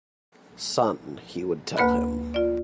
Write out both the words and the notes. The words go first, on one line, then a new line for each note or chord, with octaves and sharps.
"Son," he would tell him.
D2 A#3 B4 B5 F#6
F4 D5